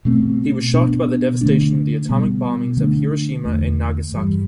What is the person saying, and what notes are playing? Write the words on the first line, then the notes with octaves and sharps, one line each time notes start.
He was shocked by the devastation of the atomic bombings of Hiroshima and Nagasaki.
B2 A3 C4
B2 B3 D4
D3 A3 D4
B2 G3 B3
D3 A3 D4
E2 D3 A3
G2 E3 G3